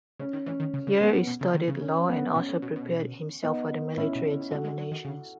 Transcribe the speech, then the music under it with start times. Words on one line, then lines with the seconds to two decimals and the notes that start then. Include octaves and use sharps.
Here he studied law, and also prepared himself for the military examinations.
0.19 C#3 C#4
0.33 D#3
0.46 E3 C#4
0.60 D#3
0.74 C#3
0.87 C#3
1.01 B2 B3
1.14 A2
1.27 B2
1.41 C#3
1.54 D#3
1.68 C#3
1.81 C#4
2.09 B3
2.35 B2 C#4
2.49 A2
2.62 B2
2.76 B2
3.43 B3 D#4
3.97 A2 C#4 E4
4.15 B2
4.51 G#3 F#4 A4
4.64 G#3
4.78 F#3
4.92 D#3
5.05 C#3